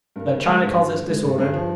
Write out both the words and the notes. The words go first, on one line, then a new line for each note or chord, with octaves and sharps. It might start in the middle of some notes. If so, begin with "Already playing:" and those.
Their china closets disordered.
G2 A#4
D3
G#3
G2
G2
D3
G#3
G2
G2 G#4
F3